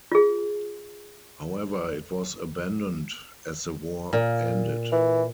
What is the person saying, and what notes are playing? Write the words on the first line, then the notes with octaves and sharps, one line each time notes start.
However it was abandoned as the war ended.
F4 G#4
A#2
E3